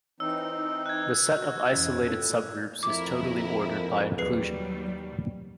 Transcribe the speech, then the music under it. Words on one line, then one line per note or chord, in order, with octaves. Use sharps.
The set of isolated subgroups is totally ordered by inclusion.
E3 C4 D#4 C#5 E6
F#6 G#6
F#4
F2 A2 E3 C#4
F4 A4
F2 E4 A#4 D6
D#2 F#3 G3 G#4 B4 C7